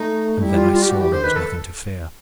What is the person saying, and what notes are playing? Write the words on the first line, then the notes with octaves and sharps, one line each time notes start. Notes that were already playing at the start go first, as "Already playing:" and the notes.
And then I saw there was nothing to fear.
Already playing: A3 D#4
G3 E4
F4
F4
G4
G3 F#4
E3 G4
D3 C5
D#3 B4
A4